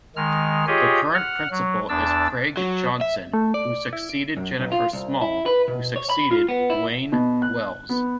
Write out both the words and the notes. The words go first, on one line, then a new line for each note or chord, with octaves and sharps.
The current principal is Craig Johnson, who succeeded Jennifer Small, who succeeded Euan Wells.
D#3 G#3 F6
F4 G4 G#4 C#5 D#5
F#5 F6
F#3
E2 D4 A5 E6
F#3
E5
A3
D5
E4
D7
F#2
B1
F4
C2
E4
B4
B2
C#5
B5
F4
B3
E4
B2
F#6
B3